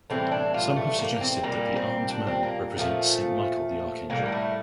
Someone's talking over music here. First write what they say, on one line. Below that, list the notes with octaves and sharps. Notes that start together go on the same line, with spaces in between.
Some have suggested that the 'armed man' represents Saint Michael the Archangel.
A2 E3 G3 C4
D4
F4
A3
A#3
C4
A#2 G3 A#3
C4
D4
C4
A#3
A#2 F3 A3
A2 E3 G3 A#3
A#3
A3